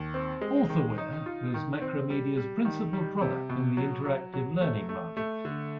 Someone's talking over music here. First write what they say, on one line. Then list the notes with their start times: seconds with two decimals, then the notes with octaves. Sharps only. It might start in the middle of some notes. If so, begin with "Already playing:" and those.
Authorware was Macromedia's principal product in the interactive learning market.
Already playing: D#2
0.14 C4
0.41 G#3
0.69 D#3
0.98 D#4
1.26 F4
1.54 D#3
1.82 C4
2.10 G3
2.37 G3
2.65 D#3
2.93 G3
3.21 C3
3.49 B2
3.77 F#3
4.05 F#3
4.34 F#3
4.61 A3
4.89 A3
5.17 A3
5.45 D3